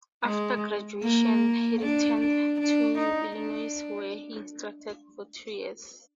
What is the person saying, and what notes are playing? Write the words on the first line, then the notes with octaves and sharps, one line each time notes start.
After graduation he returned to Illinois where he instructed for two years.
G#3
A#3
D4
D4
D4
D#4
D4